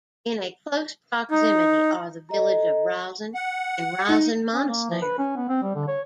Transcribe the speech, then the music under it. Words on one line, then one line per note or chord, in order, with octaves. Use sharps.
In a close proximity are the village of Rozhen and Rozhen Monastery.
D#4
A4 D#5 A#5
F#5
D#4
C#4
A#3
F3
B4
C#4
B3
C4
G3
D3
C#5